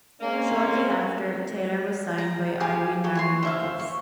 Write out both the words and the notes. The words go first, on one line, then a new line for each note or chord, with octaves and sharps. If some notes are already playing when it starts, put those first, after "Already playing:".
Shortly after, Taylor was signed by Irene Marie Models.
G#3 A#3 C4 C#4
A#5
G4 G#4 F5 G#5
A4 C#5
C#5 G#5 C6
C5 E5 F5
C#6